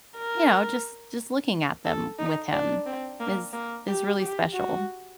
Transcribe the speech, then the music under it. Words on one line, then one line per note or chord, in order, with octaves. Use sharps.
you know, just just looking at them with him is is really special.
A#4
A4
D#4
D4
C4
A#3
A#3
G4
G4
F#4